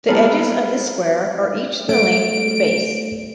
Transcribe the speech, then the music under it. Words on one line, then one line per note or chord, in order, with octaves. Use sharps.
The edges of this square are each the length of the base.
G3 G#3 A#3 B3 A4 A#4
A3 D7